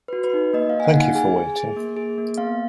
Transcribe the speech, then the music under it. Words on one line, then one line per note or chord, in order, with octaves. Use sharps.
Thank you for waiting.
B4
F#4
B4
D#4
A#3 D#5
F5
A#3
G#5
F#5
D#4
G#5
G#4 G#5
G#4
G#4
A#3
G#4
A#3
B3 F5